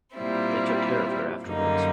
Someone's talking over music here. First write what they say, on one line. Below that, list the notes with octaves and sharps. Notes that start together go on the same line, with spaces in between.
They took care of her afterwards.
A#2 G3 C4 E4
F#2 D3 G3 A#3 D#4